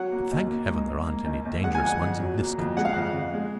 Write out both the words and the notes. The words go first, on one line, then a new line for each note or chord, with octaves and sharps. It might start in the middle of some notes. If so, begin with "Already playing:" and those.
But thank Heaven, there aren't any dangerous ones in this country.
Already playing: F#3 F#5
A#3
D#2
A#3
G#2
G#2
A#3
D#2
D#2
G#3 F#5
G#5
F2 F#5
F2
F#3
A#3
F2
G#3 F#5
F5
F2 F#5
F2
G#3